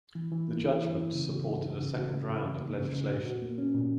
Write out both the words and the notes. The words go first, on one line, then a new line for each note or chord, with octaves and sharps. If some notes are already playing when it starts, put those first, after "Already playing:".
The judgments supported a second round of legislation.
E3
E3
A#3
E4
E3
E3
C#3
F#4
G#3
D#4
C#3
F#4
C#3
C#3
E3
A#3
C#3
C#3
A#2
F#4
A#3
C#4
A#2